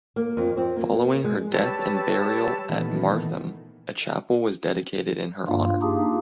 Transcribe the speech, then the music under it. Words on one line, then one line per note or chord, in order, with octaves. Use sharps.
Following her death and burial at Martham, a chapel was dedicated in her honour.
A#3
F2
C4
A#3
G#3
G3 G4 B4 C#5 A5 E6
A#2 D#3 E3 A3 B3
G2 A#3 F4
A#3 D4 D#4 F4 G4 G#4